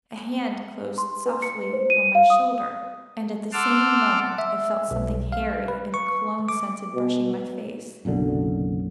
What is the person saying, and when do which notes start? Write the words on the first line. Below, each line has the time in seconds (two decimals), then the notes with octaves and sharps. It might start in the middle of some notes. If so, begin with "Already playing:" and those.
A hand closed softly on my shoulder, and at the same moment I felt something hairy and cologne-scented brushing my face.
0.98 C6
1.26 B4
1.42 C#7
1.73 C5
1.90 D#7
2.15 F5
2.30 D#6
3.53 F#5 A5 C6 D6 E6 F6
4.38 E5
4.91 B1
5.32 F5
5.68 B4
5.94 C#6
6.49 D6
6.94 B2
8.05 F#1 B1 F#2 D3